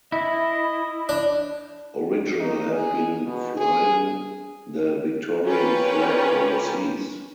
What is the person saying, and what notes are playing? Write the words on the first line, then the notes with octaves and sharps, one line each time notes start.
Original have been flying the Victorian flag overseas.
E4 D#5
D4
D#4
G#4
B2
G#4
C#4 F4 G4 A#4 B4